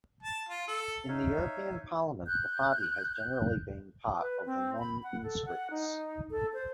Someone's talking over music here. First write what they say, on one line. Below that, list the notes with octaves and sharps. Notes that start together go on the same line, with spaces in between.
In the European Parliament, the party has generally been part of the Non-Inscrits.
A5
F4
A4
D#4 C#5 E5 F5
F#6 G6
B4
C4
B5
F#5
A4
F#5
D#4
A4
C5